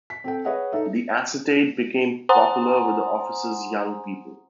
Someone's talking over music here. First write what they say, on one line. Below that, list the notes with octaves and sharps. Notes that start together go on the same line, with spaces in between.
The acetate became popular with the office's young people.
B6
C4 A4 G5
G#4 B4 C#5 D#5 E5 F#5
D#4 A4 E5
C5 F#5 G#5 A#5 C6 D#6